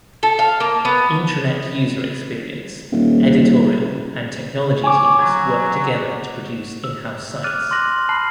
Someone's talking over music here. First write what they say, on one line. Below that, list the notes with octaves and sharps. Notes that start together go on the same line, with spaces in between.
Intranet user-experience, editorial, and technology teams work together to produce in-house sites.
A4
F5
A#3
B3
D#1
C#5 G#5 D6
F#3 G#6
E6
D6 F6 F#6 A6 D#7
C6 D6 F#6 A#6 F#7
A5 B5 F6 F#6 C7 F#7